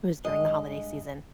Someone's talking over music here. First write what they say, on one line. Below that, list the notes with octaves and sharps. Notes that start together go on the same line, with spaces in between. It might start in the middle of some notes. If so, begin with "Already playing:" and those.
it was during the holiday season,
G2 D#3 G#3 D#5